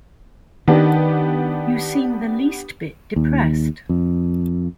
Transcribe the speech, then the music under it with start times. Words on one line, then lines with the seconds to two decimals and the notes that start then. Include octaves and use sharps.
You seem the least bit depressed.
0.68 D#3 B3 D4 G4
3.16 D#2
3.89 F2